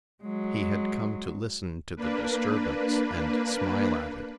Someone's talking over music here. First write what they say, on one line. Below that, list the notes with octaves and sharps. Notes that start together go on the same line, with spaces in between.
He had come to listen to the disturbance, and smile at it.
F#3 G#3
A#3 D4 B4